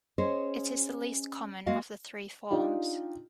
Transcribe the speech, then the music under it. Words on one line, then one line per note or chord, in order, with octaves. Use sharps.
It is the least common of the three forms.
C#4 G#4 C5 C#5 D#5
G#3 A#3 F#4 D#5 F5
D4 D#4 F4 G4